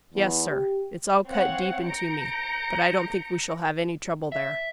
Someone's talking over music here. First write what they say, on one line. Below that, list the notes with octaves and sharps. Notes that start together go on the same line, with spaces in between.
"Yes, sir; it's all cut deep into me, but I don't think we shall have any trouble there."
E2
G4
C4 C#5 F5 F#5
A#5 G6 A#6 C#7 D7
E5